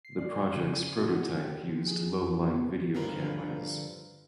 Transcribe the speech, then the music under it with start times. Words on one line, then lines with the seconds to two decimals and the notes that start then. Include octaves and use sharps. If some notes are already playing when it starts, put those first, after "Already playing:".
The project's prototype used low-light video cameras.
0.05 C7
0.18 D5
0.36 G#5
0.56 C#3
0.74 D#7
0.98 F#4
1.16 F#4
1.40 G4
1.70 F3
1.87 G#4
2.22 F2
2.47 B3
2.94 G2 D3 F3 A#4 B4